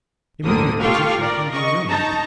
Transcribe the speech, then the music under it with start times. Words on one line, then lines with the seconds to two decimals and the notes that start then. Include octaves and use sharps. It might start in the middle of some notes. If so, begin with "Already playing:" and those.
Immediate possession can be arranged.
0.43 G1 D2 A2 D3 A#3 D#6
0.81 F4 G4 A4 F5 G5 C#6
1.18 A#4 D5
1.50 D#5 C#6
1.89 D#4 A5 A#5